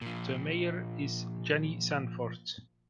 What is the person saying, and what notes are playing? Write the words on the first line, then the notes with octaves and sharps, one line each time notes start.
The mayor is Jennie Sanford.
A#2 F3